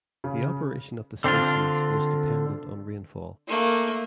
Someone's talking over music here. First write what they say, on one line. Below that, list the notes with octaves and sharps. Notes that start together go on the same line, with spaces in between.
The operation of the stations was dependant on rainfall.
C#3
D3 C4 D4 F4
A3 A#3